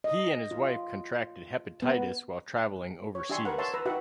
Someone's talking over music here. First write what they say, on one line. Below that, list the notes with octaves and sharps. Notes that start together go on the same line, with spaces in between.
He and his wife contracted hepatitis while traveling overseas.
D#5
F4
B3
C#5
D4 G4 E5 G#5 C6 C#6
A#4 B4 F#5
C#5 E5 F#5 A5 C6
B4 A#5 E6
D#4 F#4 G4 B4 E5 F#5